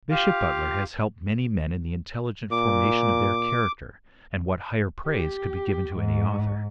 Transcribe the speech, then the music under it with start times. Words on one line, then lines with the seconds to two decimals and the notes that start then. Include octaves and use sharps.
Bishop Butler has helped many men in the intelligent formation of their character, and what higher praise could be given to any author?
0.11 F4 G4 F5
2.51 A#2 D6
5.07 G4
5.97 G#2